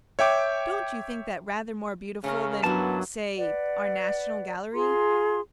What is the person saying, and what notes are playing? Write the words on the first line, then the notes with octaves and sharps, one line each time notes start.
"Don't you think that rather more beautiful than--say--our National Gallery?"
C#5 E5 G5 D6
C#3 A3 C#4 A#4
G2 F#3 A#3 B3 E4 A5
B4 D5 F#5
F4 G#4 A#5 C6